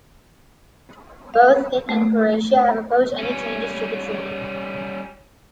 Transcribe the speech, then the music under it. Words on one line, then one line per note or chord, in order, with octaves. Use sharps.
Both it and Croatia have opposed any changes to the treaty.
F5
A3
G3 C#4